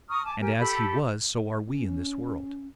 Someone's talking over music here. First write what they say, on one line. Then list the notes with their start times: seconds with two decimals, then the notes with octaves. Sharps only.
And, as He was, so are we in this world.
0.09 A#5 C#6 D#6 F6
0.24 G#5 A5 D6
0.40 G4 A#4 G5 G#5
0.59 G4 A4 B5
1.68 C#4